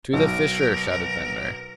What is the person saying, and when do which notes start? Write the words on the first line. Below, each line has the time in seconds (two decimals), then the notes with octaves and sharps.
"To the fissure!" shouted Ventnor.
0.13 B1 A#4